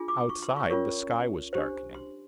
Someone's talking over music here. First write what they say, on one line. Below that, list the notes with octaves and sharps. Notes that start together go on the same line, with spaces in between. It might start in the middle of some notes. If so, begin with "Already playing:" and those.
Outside the sky was darkening.
Already playing: D4 F4 G#4
D6
C#6
C6
C#6
C#4 F4 A#4 C#5 C#6
D4 G4 C5
C6